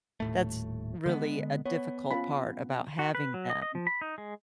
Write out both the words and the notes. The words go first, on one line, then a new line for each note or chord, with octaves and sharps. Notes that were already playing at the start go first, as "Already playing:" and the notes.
that's really a difficult part about having them.
D#1 A2 A3
D3 G#3 B3
B3 C#5
C#4 F4 B5
F#4
B4
F#3
D#5
D#5
F3
B5
D#4
G#3